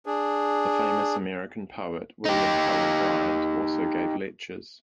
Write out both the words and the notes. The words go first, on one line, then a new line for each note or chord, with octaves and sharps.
The famous American poet William Cullen Bryant also gave lectures.
D4 G#4
D#4 G4